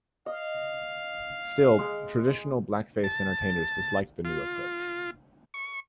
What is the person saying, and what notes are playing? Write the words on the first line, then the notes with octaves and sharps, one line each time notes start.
Still, traditional blackface entertainers disliked the new approach.
D#5 F5
G#3
A5
F4
C#6